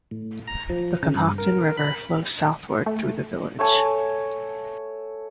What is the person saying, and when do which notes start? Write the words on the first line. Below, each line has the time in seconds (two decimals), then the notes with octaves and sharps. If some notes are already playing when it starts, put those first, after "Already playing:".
The Conhocton River flows southward through the village.
0.11 A2
0.47 A#5
0.70 F3
1.03 C#3
1.15 G2
1.38 A#4
1.77 B5
2.86 A3
3.59 A3 C#5 G#5 A5